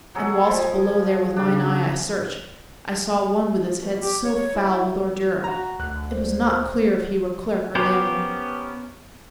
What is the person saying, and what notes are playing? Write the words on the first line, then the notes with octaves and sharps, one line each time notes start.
And whilst below there with mine eye I search, I saw one with his head so foul with ordure, It was not clear if he were clerk or layman.
F#3 G#4 A4
F3
C#3 D4
B2
G4
C#5
E4
F#4 A#5
D2 F#6
C5
B3 C#4 G4 A#4 C5